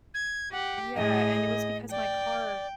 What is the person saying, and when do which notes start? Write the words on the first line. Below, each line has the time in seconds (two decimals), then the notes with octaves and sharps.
Yeah, and it was because my car
0.14 G#6
0.52 G4 F#5
0.96 A2 G#4 D#5
1.91 D5 G5